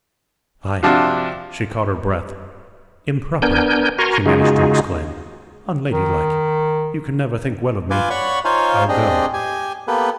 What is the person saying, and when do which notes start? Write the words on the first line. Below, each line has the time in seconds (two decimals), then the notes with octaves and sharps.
I--" she caught her breath--"improper"--she managed to exclaim, "unlady-like--you can never think well of me--I'll go.
0.83 C3 F3 D4 F4 F#4
3.42 B3 D4 A#4 G#5 G6
3.98 F#4 A#4 G#5 A#5 C6 C#6
4.26 C#3 G#3 D#4 F4 F#4 G#4
5.92 D#3
7.91 F4 B4 G#5 D6
8.10 C#5 D5 F#5 B5 C#6
8.45 D#4 F4 C5 C#5 F5 G#5
8.89 C4 D4 G4 G#4 D5 D#5
9.34 G4 G#5
9.88 A#3 B3 G4 A4 B4